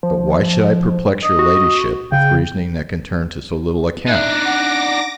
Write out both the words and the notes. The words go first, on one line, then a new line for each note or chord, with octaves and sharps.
But why should I perplex your Ladyship with reasoning that can turn to so little account?
F3
D#5
F#4
C#3 G5
D4 D#4 E5 D6 F#6 A#6
F#5